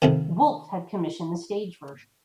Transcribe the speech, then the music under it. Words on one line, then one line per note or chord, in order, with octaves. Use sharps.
Wolfe had commissioned the stage version.
F2 C3 D#3